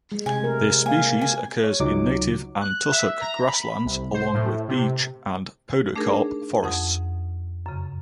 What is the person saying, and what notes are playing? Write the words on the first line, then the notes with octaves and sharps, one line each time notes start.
This species occurs in native and tussock grasslands along with beech and podocarp forests.
G#3
C3 G#5
A3 A#4
A#3 F5 G#5
G#5
C#5
C#2 F#3 G#3 D#4 D6
F#6
E5
A#5
B5
C2
C5
A2
C3
A3 D4 D#4 G#4 A#4
F2 F#5 D#6
F#2 C#3